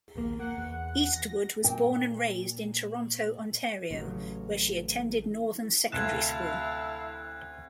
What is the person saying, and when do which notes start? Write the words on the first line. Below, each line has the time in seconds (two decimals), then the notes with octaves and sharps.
Eastwood was born and raised in Toronto, Ontario, where she attended Northern Secondary School.
0.15 A#1 D#2 A#3
0.39 A#3 F#5
0.57 E2
1.13 A#6
1.64 A#2 G5
3.91 A1 C#3 F#3
5.92 D2 C3 E4 F5 A5 F#6 G#6 E7